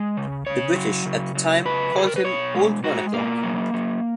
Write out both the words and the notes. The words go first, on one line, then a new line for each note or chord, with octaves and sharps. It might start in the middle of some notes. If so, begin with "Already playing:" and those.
The British at the time called him "old one o'clock".
Already playing: G#3
C#3
C#3 C#5
F#3
C#3
F#3
C#3 B4
C#3 G#4
A#4
B4
B2 C#5
G#3
G#3 F#4
B2 A#3
F#3
F#3